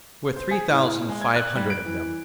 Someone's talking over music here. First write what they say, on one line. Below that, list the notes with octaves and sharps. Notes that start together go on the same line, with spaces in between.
There were three thousand five hundred of them.
C5
G#4
A2
G#3
G#6
F#6
G3
D7
E3